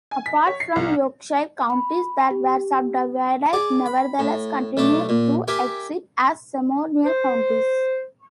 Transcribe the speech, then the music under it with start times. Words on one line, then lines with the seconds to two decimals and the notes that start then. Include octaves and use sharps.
Apart from Yorkshire, counties that were subdivided nevertheless continued to exist as ceremonial counties.
0.11 G#5
0.26 B6
0.47 C#5
0.60 C7
0.76 C2
1.70 B5
2.31 G4
3.53 G#4 D5
3.86 B5
4.19 A2
4.77 B1 A3 D4 A5
5.09 A#2
5.48 G4 A#4 E5 G#5
7.06 C5